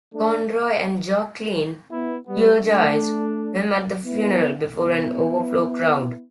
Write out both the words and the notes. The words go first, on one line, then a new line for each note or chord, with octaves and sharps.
Conroy and Joe Klein eulogized him at the funeral, before an overflow crowd.
A3 D4
B3 E4
G3 B3
A3 D4
B3 E4
B3 E4